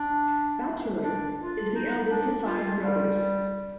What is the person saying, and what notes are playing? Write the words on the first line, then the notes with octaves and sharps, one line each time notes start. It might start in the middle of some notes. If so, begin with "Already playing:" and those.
Batchelor is the eldest of five brothers.
Already playing: D4
D4
F4
D#4
D4
F4
G3